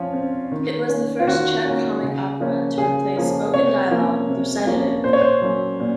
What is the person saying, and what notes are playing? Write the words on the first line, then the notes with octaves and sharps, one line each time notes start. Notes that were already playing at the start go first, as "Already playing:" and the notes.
It was the first Czech comic opera to replace spoken dialogue with recitative.
Already playing: F3 C4 C#4 F4
C4
D#3
A#3 C#4
F4
D#3 F#4
A#3 C#4
C#3
F3 A#3 C#4
C#3 G#4
F3 A#3 C#4
C3 C#5
F3 A#3 C#4
C3
F3 A#3 C#4
A#2 C5
C#5
C5
F#3 A#3 C#4
A#2